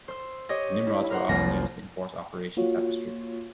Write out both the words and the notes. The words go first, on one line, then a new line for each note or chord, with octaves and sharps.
The Nimrods were often used to enforce Operation Tapestry.
C5 C6 E6
G4 C#5 D#5
E4
A#4 C5 F#5
F1 C2 G3 A#3 A#6
A#3 F4 F#4 C#5